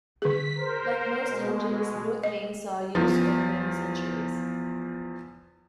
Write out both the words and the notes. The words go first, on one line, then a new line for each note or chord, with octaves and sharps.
Like most henges North Mains saw use over many centuries.
D3 G#4 B6
A#4 C5
B2 G#3
D#5
E2 F3